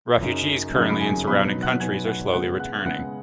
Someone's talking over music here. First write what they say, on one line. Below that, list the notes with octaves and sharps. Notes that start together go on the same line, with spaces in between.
Refugees currently in surrounding countries are slowly returning.
F#2 C#3 F#3 D#4
F#2 C#3 F#3 D#4 D#5
B5
G#4 G#5
B2 F#3 B3 D#4 B4 B5
F#5 F#6
B2 F#3 B3 D#4 G#5 G#6
F#5 F#6
C#3 G#3 B3 F#5 F#6
F#5 F#6
C#3 G#3 B3 F#5 F#6